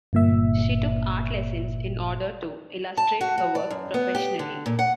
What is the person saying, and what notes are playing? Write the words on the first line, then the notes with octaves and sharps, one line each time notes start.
She took art lessons in order to illustrate her work professionally.
G1 A#2 E5
A5
F#4
F#4
D5
F#2
B3
G4
D3
A#2
F#5